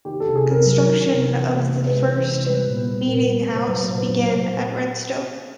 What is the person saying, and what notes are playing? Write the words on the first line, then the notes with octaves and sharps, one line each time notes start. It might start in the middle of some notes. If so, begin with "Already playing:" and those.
Construction of the first meetinghouse began at Redstone.
D#3 G4
C3 A4
G#4
C3 A#4
F#3 A#4
D#3
C3
E3
C3
C3
G#3 B4
E3
C3
G3 B4
A#2
G3
A#2 A#4
G3
A#2
C5
F#3 B4
C5
A#2
B4
F#3
A#2 C5